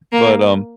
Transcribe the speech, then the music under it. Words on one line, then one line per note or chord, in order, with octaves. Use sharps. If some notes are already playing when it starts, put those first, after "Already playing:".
but, um,
A#3